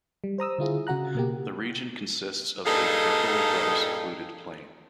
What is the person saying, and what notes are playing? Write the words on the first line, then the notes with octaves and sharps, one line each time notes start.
The region consists of a fertile, rather secluded, plain.
G3
C5 A#5 D#6 E6
D3 E4 F4 G#4
C#3 F#4 F#5 A#5 F#6
B2 A#3 G4
G2 A#2 D#4 G#4 A4 F5